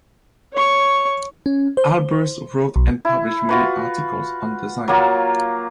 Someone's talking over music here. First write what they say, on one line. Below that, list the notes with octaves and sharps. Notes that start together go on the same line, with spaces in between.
Albers wrote and published many articles on design.
C#5 C#6
C#4
C5
B1
E4
F4 F#4 B4
F#3 A#3 F4